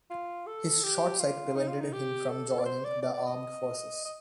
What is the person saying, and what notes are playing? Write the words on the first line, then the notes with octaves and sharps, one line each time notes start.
His short sight prevented him from joining the Armed Forces.
F4
A4
G4
F4
D#4
F4
D#4
G4
A4
D5
C5
D5
D5
D5
D#5
D#5